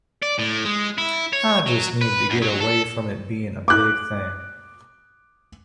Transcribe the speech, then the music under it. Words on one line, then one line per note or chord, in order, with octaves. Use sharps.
I just need to get away from it being a big thing.
D5
A2
G#3
E4
C#5
F#3
B4
F#2
F#3
A4
D6 F#6